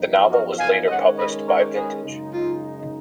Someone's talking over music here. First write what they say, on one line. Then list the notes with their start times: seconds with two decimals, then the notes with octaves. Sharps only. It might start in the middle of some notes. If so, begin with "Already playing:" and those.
The novel was later published by Vintage.
Already playing: F#2 F3 B3 D#4
0.30 F#4 A#4
0.59 F5 G#5
0.88 D#3 G#3 C#4 D#5 F#5
1.17 B4 D#5
1.46 A#4 C#5
1.75 G#4 B4
2.04 F#2 C#3 G#3 D#4
2.32 F4